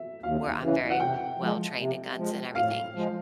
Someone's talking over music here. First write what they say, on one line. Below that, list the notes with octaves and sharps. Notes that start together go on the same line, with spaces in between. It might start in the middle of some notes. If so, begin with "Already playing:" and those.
where I'm very well-trained in guns and everything,
Already playing: E5
D#2 F5
C#3 E3
F#5
C3 G5
F3 G#3
C3
F3 G#3
A2 F5
F3 G#3